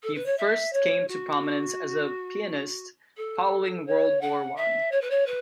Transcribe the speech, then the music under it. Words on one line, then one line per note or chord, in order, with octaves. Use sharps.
He first came to prominence as a pianist following World War One.
A4
B4
C#5
E5
C#5
F#4
A4
C#5
F#5
E5
C#5
B4
C#5
B4